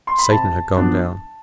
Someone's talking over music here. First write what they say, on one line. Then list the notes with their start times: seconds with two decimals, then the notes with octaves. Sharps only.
Satan had gone down.
0.07 C6
0.19 B5
0.30 C3 A5
0.77 F3 B3 D4